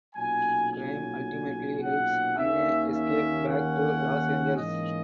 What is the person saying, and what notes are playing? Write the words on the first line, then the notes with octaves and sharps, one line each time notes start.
Grime ultimately helps Anne escape back to Los Angeles.
B1 A#2 F#3 C#4 G#5
G#5
F#5
D#2 D#3 A#3 C#4 E5
E5
F#5
G#2 E3 A#3 C#4 D#5